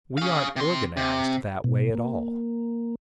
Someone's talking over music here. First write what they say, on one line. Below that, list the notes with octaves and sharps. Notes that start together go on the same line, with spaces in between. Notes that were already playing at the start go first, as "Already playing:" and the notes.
We aren't organized that way at all.
G#4 F5
C3 C6
C3
B2
A#3